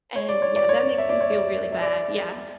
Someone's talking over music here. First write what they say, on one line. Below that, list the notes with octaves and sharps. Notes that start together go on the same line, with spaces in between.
and yeah, that makes him feel really bad, yeah.
C#5
D5
C#5
D5
C#5
E5
D5
C#5
D5
E5
D5